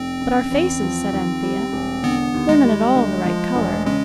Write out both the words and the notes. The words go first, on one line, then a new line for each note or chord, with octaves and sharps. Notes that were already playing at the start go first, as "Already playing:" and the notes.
'But our faces,' said Anthea, 'they're not at all the right colour.
Already playing: F1 C4
C#3
E2
F3
D#2
G3
E1
D3 B3
D#2
G#3
G3
D2
F3
E1
C#3 G#3